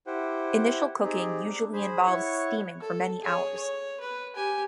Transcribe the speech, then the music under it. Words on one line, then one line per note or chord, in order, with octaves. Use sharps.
Initial cooking usually involves steaming for many hours.
E4 G4 C5 F#5 G5
C4 D#4 G4 G#4
D4
G#4 C5 B5
E4 C#5 F#5 C#6
A4
G#4 C#5
C#5
B4
G4 G#5